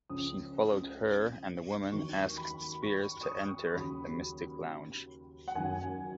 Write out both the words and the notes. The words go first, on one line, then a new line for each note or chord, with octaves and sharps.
She followed her and the woman asked Spears to enter the "Mystic Lounge".
C#2 C#3 F3 D#6
D#2 D#3 F#3 C#6
B5
C#6
D#6
C#6
D#2 C#3 F#3 B5
F#5
F#1 F#2 D#3 F#3 G#5